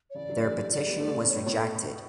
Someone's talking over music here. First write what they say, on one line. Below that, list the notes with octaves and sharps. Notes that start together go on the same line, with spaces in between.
Their petition was rejected.
C#5
C#3 E3 D5
D3 F#3
A3
E3 G3
E3 G3
F#3 A3 D5
G3 B3
F#3 A3
C#3
B2 C#5
A2
B2 C#5
A4